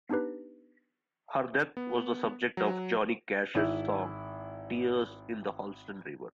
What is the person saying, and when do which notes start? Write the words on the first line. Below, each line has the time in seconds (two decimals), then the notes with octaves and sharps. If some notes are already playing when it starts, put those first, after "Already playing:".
Her death was the subject of Johnny Cash's song "Tears in the Holston River".
0.09 B3 D4 D#4 G4 B4
1.77 B3
2.57 F#3
3.54 G#1 E4